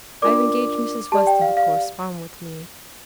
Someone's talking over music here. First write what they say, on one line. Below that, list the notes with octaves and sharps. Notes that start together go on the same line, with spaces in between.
I have engaged Mrs. Weston to correspond with me.
D4 F4 A#4 D5 D6
G4 D5 A5
G5
F5
F5